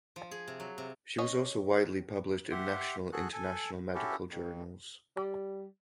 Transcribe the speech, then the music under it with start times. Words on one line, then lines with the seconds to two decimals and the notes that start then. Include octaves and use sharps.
She was also widely published in national and international medical journals.
0.16 F3
0.31 G#4
0.48 C3
0.60 F#3
0.78 C3
1.18 C#4 C#5 D#5
2.51 G4 E5 F#5 C6
3.13 F#4 G#4 A4 F#6
3.33 A4 G#5
3.95 C#4 E4 F#4 G4 A4
4.30 F2
5.17 G3